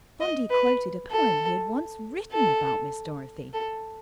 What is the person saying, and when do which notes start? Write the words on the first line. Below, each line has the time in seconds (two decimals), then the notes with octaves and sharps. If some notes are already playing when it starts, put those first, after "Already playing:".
Spondee quoted a poem he had once written about Miss Dorothy.
0.21 D#5
0.50 B4
1.10 A4
2.32 A4
3.53 A4